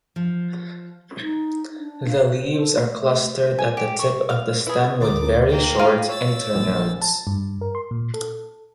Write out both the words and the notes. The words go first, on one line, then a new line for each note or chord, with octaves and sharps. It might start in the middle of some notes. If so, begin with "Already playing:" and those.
The leaves are clustered at the tip of the stem with very short internodes.
F3
D#4
D4
F5
C5
A4
A#3
A3
G#5
G4
C#6
F5
E4 G#4 B4
D2 A#4 D6 A6
A#3 G5
F4 A#4 F5 D#7
C#5 E6 A6
A#1
A5
G2
A#4
C6
A#2
A4